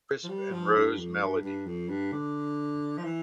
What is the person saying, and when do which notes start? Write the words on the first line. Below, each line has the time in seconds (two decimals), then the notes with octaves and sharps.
Crisp and Rose Meleady.
0.24 F3
0.29 G3
0.52 F3
0.74 G2
0.98 F2
1.20 G2
1.43 G2
1.66 F2
1.89 G2
2.12 D3
2.97 F3
3.04 E3